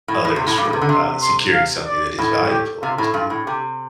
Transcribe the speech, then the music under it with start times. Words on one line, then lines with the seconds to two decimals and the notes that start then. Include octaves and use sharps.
others for, uh, securing something that is valuable to you.
0.08 A2
0.25 A2
0.36 C3
0.47 A2
0.57 G2 D6
0.65 A2
0.73 C3
0.81 D3
0.89 C3 C6
1.22 C6
1.54 F5
1.86 D5
2.18 A2
2.50 G4
2.82 C3 F4
2.98 A2
3.14 G2 F4
3.30 A2
3.46 C3 G4